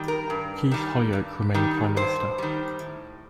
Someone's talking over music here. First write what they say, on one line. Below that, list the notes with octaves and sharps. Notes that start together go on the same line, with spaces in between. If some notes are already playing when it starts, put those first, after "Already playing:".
Keith Holyoake remained Prime Minister.
Already playing: D#3 G3
A#4
G2
D#3 G3
G2
D#3 G3
G2 C5
D#3 G3
A2